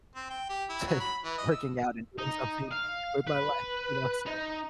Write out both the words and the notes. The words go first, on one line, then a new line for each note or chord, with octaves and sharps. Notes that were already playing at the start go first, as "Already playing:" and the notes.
to working out and doing something with my life, you know what I'm saying,
C4
G5
G4
E4
F#3
B5
E3
D#5
E6
D#4
F5
B4
D#4